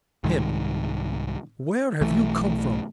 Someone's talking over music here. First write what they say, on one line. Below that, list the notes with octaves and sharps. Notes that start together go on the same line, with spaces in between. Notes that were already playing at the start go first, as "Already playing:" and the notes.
HIM: Where have you come from?
C2 G#2 D#3 G#3
B1 E3 A3